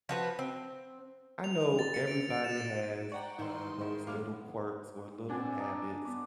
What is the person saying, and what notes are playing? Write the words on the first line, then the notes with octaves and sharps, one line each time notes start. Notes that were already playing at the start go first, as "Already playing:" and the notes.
I know everybody has, uh, those little quirks or little habits
F3 F#4 B4
C4
F7
F7
A6
C#7
D7
D7
E7
A6
D5 F#5 G5 A#5 C#6
D#3 E3 D#4 C6
D#3 E4
G2 B2 G#3 F5 D6 F6
B3
C4 D4 D5 F#5 G#5
D#5 A5 A#5
B3 D6